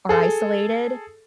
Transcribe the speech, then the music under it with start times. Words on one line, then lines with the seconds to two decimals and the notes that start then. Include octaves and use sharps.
are isolated
0.09 G#4 A4